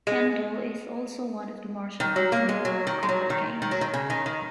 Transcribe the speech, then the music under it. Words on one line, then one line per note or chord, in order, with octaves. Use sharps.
Kendo is also one of the martial arts in the World Combat Games.
G#3
D#3
F#3
A#3
G#3
F#3
D#3
G#3
F#3
D#3
D#3
F#3
D#3
C#3
D#3
D#3